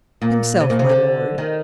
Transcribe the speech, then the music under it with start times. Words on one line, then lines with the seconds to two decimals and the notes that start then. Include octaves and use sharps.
"Himself, my lord."
0.22 A#2
0.60 C3
0.70 A#2
0.79 C3
0.89 D3
1.38 D#3